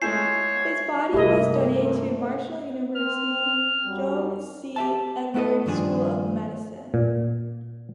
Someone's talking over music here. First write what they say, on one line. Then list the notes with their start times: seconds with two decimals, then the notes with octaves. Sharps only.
His body was donated to Marshall University's Joan C. Edwards School of Medicine.
0.02 G#3 A3 E4 C#5 G#5 G6 C7 E7
1.13 G2 C3 A3 A#3 E4 D#5
2.96 C4 F6
3.85 F#2 F#3 G3
4.76 G4 E5 A5
5.34 A3 B3 E4 A4 D#5
5.66 G2 D#3 F3 D4 G#4
6.94 A#2